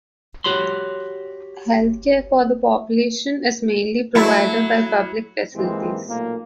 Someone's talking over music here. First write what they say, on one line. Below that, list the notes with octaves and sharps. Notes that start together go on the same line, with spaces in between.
Health care for the population is mainly provided by public facilities.
F#4 G4 C#5 B5 C6
F#3 A3 E4
G#2 E3 G#3 A#3 C4 G4
B1 A#2 A3 A#3